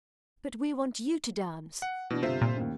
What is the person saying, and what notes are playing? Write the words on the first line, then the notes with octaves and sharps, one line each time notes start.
'But we want you to dance.'
F#5
B2 E3 D4
G1 C3 F4 C5 E5
A#2
A1 D#2